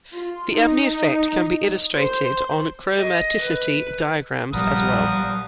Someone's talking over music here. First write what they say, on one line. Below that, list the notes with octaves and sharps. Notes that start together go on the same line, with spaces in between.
The Abney effect can be illustrated on chromaticity diagrams as well.
F4
D#4
C5
D#5
B4
A#1 F3 G3 B3 A#4 B4 D#6